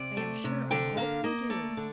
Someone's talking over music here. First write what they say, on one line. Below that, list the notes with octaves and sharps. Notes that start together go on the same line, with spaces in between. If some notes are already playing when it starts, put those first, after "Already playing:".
I am sure I hope you do.
Already playing: C3 D5
A3
C3
D3 G5
A#3 F5
A#3 D#5
A3 D5
D3